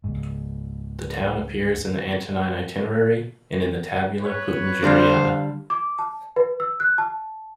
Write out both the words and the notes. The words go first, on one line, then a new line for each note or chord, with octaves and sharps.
The town appears in the Antonine Itinerary and in the Tabula Peutingeriana.
C#2 G#2
B4 C#5
D3 G3 D4 C5 F5
D6
A5
B4
E6
F#6
A5